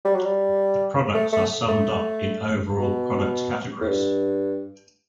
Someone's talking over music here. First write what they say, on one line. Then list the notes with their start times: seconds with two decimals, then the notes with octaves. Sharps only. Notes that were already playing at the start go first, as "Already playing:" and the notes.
The products are summed up in overall product categories.
0.05 G3
0.15 F#3
0.25 G3
1.15 A3
1.33 A3
1.69 A3
2.79 B2
3.81 A2
3.88 G2